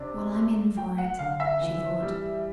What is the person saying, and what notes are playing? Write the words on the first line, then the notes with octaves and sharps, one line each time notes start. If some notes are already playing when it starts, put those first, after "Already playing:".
"Well, I'm in for it," she thought.
Already playing: C3 D4
A3
F#3 G5
F#5
D3 F5
E5
E3
G3